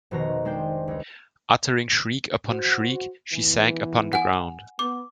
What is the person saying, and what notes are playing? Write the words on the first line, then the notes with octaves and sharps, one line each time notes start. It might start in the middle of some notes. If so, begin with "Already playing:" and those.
Uttering shriek upon shriek, she sank upon the ground.
F1 B2 D#3 F#4 C5 A#5
G#3 D4 C5 G5 G6
C#2 D#4
F#4 C5
E3 B3
F#5 G#5
B3 D6